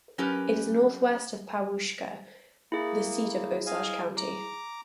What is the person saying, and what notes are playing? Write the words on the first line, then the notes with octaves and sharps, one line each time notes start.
It is northwest of Pawhuska, the seat of Osage County.
F#3 C#4 G4 A#4 B4
A#3 E4 G#4
D#5 F5 G#5
A#5 D6